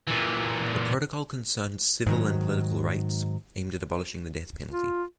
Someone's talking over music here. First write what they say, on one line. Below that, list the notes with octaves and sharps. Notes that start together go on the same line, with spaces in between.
The protocol concerned civil and political rights aimed at abolishing the death penalty.
A#2 E3
G#2 D#3 F#3
F4